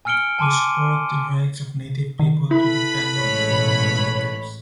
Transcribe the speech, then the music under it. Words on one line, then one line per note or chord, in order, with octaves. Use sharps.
We support the rights of Native people to defend their freedom and their lives.
G#5 E6 F6 C#7 D7 G7
G#5 A5 C6 D6 D#7
D#3
E4 A4 B4 B5
A1 G#2 C#5